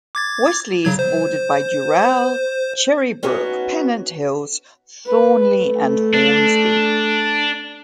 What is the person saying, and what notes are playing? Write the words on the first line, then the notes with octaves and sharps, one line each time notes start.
Westleigh is bordered by Dural, Cherrybrook, Pennant Hills, Thornleigh and Hornsby.
D6 G#6 A6
C#3 F#3 G#6
C5
B3 C#4 D#4 F#4 C#5
B4
A3
D4